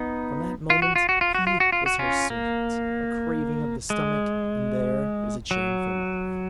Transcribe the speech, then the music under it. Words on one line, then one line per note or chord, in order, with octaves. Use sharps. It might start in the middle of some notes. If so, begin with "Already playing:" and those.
From that moment he was her servant; a craving of the stomach, and there is a chain for life!
Already playing: B3 D#4
F4
F#4
F4
F#4
F4
F#4
F4
F#4
F4
F#4
C#4 F4
A#3
G#3
F#3